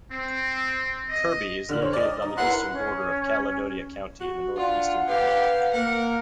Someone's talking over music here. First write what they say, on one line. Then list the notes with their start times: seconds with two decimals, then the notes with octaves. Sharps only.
Kirby is located on the eastern border of Caledonia County in northeastern Vermont.
0.11 C4
1.10 D#5
1.69 D3 F6 F#7
1.82 C5 C#5
1.93 D5 D#5
2.22 D#4
2.38 E4 A#4 B4 F#5 C6 F#6
2.72 C#4
4.20 F#4
4.56 D4 F4 F#5
5.09 G4 B4 F5
5.73 A#3 A#4 F#5